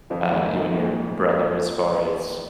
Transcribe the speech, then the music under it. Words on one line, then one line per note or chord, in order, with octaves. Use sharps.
uh, you and your brother as far as
F2 F3
G#1 G#2
F#2
A#1 A#2